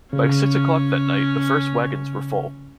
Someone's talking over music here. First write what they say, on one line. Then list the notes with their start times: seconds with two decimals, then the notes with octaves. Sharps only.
By six o'clock that night, the first wagons were full.
0.13 C#3 C#4